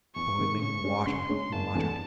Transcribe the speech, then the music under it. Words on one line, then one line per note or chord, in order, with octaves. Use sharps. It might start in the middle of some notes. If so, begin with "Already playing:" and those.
"Boiling water!" he muttered.
E2 C#6
C3 D#3
C#3 C#6
G#3 C#4
C#3 C6
G#3 C#4
F#1 A5
E2 C3 E3 A3